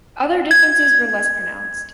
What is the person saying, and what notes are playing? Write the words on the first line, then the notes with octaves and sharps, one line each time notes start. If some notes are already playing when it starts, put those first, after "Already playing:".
Other differences were less pronounced.
G#6